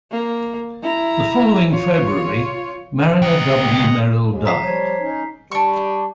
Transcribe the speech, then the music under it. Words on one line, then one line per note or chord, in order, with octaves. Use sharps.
The following February, Marriner W. Merrill died.
A#3
E4 A#5
F4 C#5
C#2 D#5 F#5 G5 A#5
D#2 G#3
A#2 A#5 B6 C7
F3 G3 C#5
C#4 D#4
G3 D4 C#6